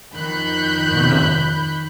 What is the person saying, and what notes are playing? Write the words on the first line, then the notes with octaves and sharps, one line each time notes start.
Why not?
F2 D#3 B5 F#6 G6